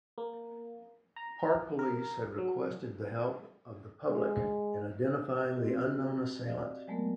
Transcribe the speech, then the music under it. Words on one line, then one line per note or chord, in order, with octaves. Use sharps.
Park Police had requested the help of the public in identifying the unknown assailant.
A#3
A#5
A#4
F#3
G#3
F#4 G4 D#5
C4
D5 D#5 F5
F#3 G#3 A3 B3 A#4